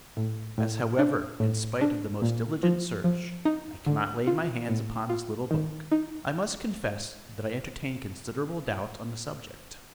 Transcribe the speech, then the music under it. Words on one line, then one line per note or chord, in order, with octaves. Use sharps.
As however, in spite of the most diligent search, I cannot lay my hands upon this little book, I must confess that I entertain considerable doubt on the subject.
A2
A2
D4
A2
D4
A#2
F3
F3
D#4
D3
F4
A2
F4
D#3
D#4